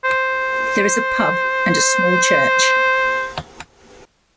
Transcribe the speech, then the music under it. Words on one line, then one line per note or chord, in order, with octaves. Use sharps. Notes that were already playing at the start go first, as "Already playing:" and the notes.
There is a pub and a small church.
C5